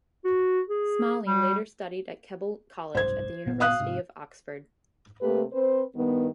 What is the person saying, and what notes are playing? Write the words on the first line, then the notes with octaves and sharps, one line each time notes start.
Smalley later studied at Keble College at the University of Oxford.
F#4
G#4
G3
F#1 C2 G#2 C5 G#6
G1 A#2 B3
F5 D#6 F#6
G#2 C3
C3 A3 A#3 G4 B4
C4 B4 C5
G2 D#3 B3